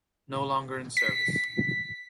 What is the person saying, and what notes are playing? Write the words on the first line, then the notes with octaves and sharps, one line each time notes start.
No longer in service.
B6